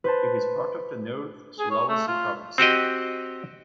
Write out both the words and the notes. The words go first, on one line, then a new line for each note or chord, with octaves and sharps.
It is part of the North Sulawesi province.
B4 C5 A5
G#4
C#5
A3
F4
C4 F#4 G4 D#5